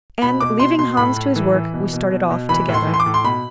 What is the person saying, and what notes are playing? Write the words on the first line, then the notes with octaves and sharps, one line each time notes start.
And leaving Hans to his work we started off together.
B2 B5
B2 D6
B2 C6
B2 C6
A2 B5
A2
E3
E3
B2
B2
B2
B2
E3 B5
A2
C6
E3
C6
D6
A2
C6
B2 B5